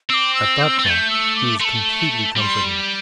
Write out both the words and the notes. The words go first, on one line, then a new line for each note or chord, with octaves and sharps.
At that thought he was completely comforted.
C4 D6 E6
E6
G6
E6
C4
A3 G6 A6
E6
D6
A3 A5 C6
G3 C6 D6